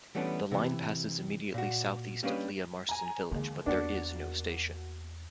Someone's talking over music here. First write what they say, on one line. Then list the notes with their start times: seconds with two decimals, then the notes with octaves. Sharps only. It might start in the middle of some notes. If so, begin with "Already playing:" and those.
The line passes immediately south-east of Lea Marston village but there is no station.
0.15 E3 G3 A3 B3 C#4 D4
0.51 C3 E3
1.54 A#2 F#4
2.23 G3 A#3 C#4 D4 B4 D#5
2.89 G#5 A#5
3.31 D#2 D3 E3 G#3
3.66 E2 A#3 D4 F#4 C#7